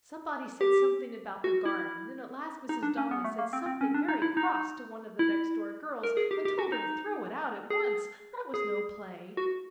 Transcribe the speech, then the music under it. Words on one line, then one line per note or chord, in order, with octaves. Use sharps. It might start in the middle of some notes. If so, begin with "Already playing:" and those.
Somebody said something about the garden, and at last Mrs. Donnelly said something very cross to one of the next-door girls and told her to throw it out at once: that was no play.
G4
F#4
E4
D#4
D4
C#4
B3
A3
A#3
C4
C4
C#4
D4
D#4
E4
D#4
E4
A#4
G#4
G4
G4
F#4
D#4
G#4
G#4
F#4